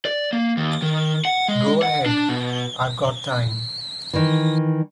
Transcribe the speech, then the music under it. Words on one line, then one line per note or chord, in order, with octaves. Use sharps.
Go ahead, I've got time.
D5
A#3
D#2
D#3
F#5
G#3
F#5
D4
B2
D#3 E3